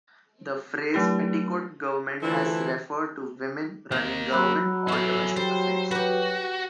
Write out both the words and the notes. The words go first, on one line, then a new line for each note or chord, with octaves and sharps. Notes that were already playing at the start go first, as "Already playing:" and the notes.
The phrase "petticoat government" has referred to women running government or domestic affairs.
F#3 A3 D4 E4 G4
D3 E3 F3 A3 E4 A4
A#3 D#4 A#5
F#3 B5 E6 F#6
E4 G#4 A4 E5
G3 C5
F#4 G4 B4